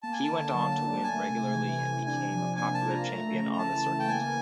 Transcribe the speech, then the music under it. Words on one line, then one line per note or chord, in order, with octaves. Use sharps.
He went on to win regularly and became a popular champion on the circuit.
A#3 A5
G#5
A5
D3
F#3
D4
A3 G#5
C3
E3
C3
D4 G#5
F3
A#3 G#5
A5
F4
A#5
A3
C#3
A#5
E3 A5
C#3
G5
A#3 G#5